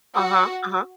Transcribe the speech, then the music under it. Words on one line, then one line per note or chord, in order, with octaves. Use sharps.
Uh-huh. Uh-huh.
F#4